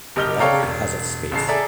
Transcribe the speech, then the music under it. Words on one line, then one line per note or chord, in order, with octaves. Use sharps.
The library has of space.
F#1 G4 D#5 F6 G7
A4 C#5 D5 F5 G5 A#5
E1
A1 C#3 A5 C7
G#4 A4 D5 E5 A#5